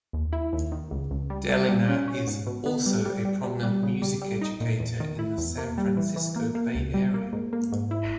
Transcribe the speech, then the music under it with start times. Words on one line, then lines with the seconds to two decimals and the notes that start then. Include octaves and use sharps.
Dehlinger is also a prominent music educator in the San Francisco Bay Area.
0.13 D#2
0.33 E4
0.53 D#2
0.72 D#3
0.91 C#2
1.11 C#2
1.30 G3
1.49 G3
1.69 G3
1.89 C#4
2.08 C#4
2.27 G#2
2.46 B2
2.66 B3
2.86 G3
3.06 G3
3.25 G3
3.44 G3
3.63 G3
3.83 C#3
4.02 G3
4.22 G3
4.41 D#4
4.60 A#2
4.80 E2
5.00 D#3
5.19 E4
5.38 E2
5.58 A#3
5.78 G3
5.97 E3
6.16 E3
6.36 A#3
6.55 A#3
6.75 C#2
6.94 G3
7.14 A#3
7.33 G#2
7.53 A#3
7.72 G#2
7.91 E4